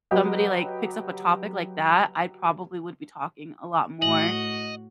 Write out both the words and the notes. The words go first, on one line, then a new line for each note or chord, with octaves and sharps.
somebody, like, picks up a topic like that, I probably would be talking a lot more.
F#3 F#4 G4 B4 D#5
A2 F#4 D#5 F#7